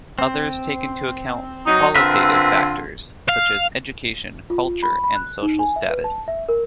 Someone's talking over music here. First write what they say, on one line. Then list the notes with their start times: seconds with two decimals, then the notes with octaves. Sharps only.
Others take into account qualitative factors, such as education, culture, and social status.
0.19 C4
1.66 F#3 D#4
1.95 D3 C4 F4 A#4 B4 E5
3.29 F5
4.50 F4
4.83 B5
5.04 B5
5.16 F#6
5.42 D#4
5.59 G#5
5.76 E5
5.90 B4
6.04 A5
6.28 E5
6.49 A#4